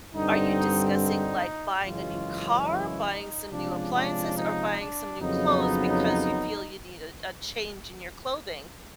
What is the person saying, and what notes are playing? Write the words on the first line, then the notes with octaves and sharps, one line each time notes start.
are you discussing, like, buying a new car, buying some new appliances, or buying some new clothes, because you feel you need a a change in your clothing?
G2 D3 G3 C4 D#4
D#4
F#2 C#3 E3 G#3 C#4 F4
E4
D#4
C3 F3 G#3 C#4 D4
D4
D#4
D4
F2 C#3 F#3 B3 D#4